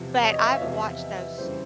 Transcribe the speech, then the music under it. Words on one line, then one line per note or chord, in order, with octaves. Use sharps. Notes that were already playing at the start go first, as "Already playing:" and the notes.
But I've watched those
Already playing: E2 C3 F3
C#5
D#5
E5
F5
E2 C3 F3 E5
F2 C#3 E3 G3 C5